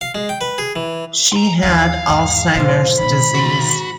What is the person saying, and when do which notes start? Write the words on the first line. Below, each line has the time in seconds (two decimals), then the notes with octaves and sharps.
She had Alzheimer's disease.
0.01 F5
0.15 G#3
0.29 G5
0.41 B4
0.58 G#4
0.76 E3
1.32 A#5 C6
1.63 D#2 D#3 G#4 F5
2.09 E2 G#2
2.56 G#2 B2 D3 F3
2.99 B2 D#3 B5
3.34 F#4 C6